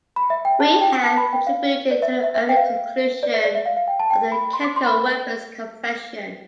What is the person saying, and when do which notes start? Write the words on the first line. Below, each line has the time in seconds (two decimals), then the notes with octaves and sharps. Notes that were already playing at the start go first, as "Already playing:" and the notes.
We have contributed to the early conclusion of the Chemical Weapons Convention.
0.16 B5
0.30 E5
0.45 G5
0.60 A5
0.81 G5
1.03 A5
1.17 B5
1.33 G5
1.47 F5
1.91 D5
2.02 E5
2.23 E5
2.35 E5
2.49 G5
2.57 F5
3.23 D5
3.34 E5
3.44 D5
3.55 E5
3.66 F5
3.77 F5
3.88 G5
4.00 A5
4.10 G5
4.32 B5
4.53 C6
4.64 D6
4.76 C6
4.86 B5